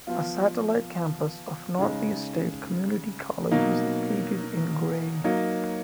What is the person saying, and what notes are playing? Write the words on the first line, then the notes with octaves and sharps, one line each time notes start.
A Satellite campus of Northeast State Community College is located in Gray.
F3 B3 F4
C#3 G#3 D#4
B2 F#3 A#3 D#4
F#3 A#3 D#4